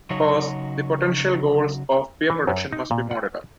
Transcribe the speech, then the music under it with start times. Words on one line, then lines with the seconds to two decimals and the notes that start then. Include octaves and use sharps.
First, the potential goals of peer production must be modular.
0.10 C#3 F#3 D#4 F#4 C#5
2.30 E3
2.47 F#2
2.73 D#4
2.91 A#2
3.11 F#5